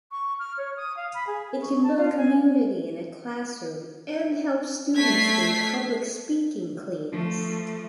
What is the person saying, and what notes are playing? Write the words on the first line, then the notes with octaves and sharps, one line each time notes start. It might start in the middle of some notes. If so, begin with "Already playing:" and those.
It can build community in a classroom and help students gain public speaking cleans.
C#6
F6
C#5
D#6
F5
B5
G#4
G#4
C#6
A5
F4
G#5
A3 G#6 B6 C7
F3 A3